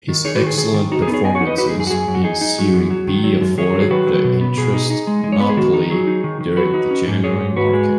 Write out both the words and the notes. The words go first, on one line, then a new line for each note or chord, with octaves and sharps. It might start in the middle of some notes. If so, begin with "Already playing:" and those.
His excellent performances in Serie B afforded the interest Napoli during the January market.
D#3
D#4 G#4 C#5
F#4 B4
D#3 G#4
D#3 G#4
D#3
D#4 F#4
G#4
B3
G#4 C#5
B3 D#5 G#5
C#5 F#5
D#4
B4 D#5
D#4 F#4 B4
G#4
F#2
G#4
F#4
F#2 G#4
F#2
F#4
D#4 G#4
D#4
F#3
F#2
F#3
D#3
F#3
F#2
D#3 G#4 C#5
F#3
G#4
D#3 F#4 B4
F#3
B2
B3
B2 G#4
D#4
D#4
G#3
G#3
C#5
B3 B4
G#4
D#3 F#4
D#4
F#3 G#4
D#4
D#3
D#3
F#3 F#4 B4
D#4
C#4
G#2
G#2 G#4 C#5
G#2
G#2 F#4 B4
G#3